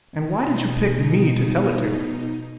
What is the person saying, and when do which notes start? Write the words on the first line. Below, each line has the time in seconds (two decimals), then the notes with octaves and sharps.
"And why did you pick me to tell it to?"
0.13 B2 D#4